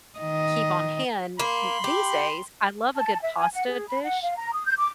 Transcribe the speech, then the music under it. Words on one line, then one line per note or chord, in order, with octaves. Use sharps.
keep on hand th these days, I love a good pasta dish.
D#3 D#5
A#3 B5 C6
G4
A5
E5
G#5
F#5
G#4
B5
F#5
F5
A#5
D#6
G6
D6